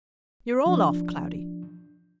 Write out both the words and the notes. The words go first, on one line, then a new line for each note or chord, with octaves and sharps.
You're all off, Cloudy.
F3 D4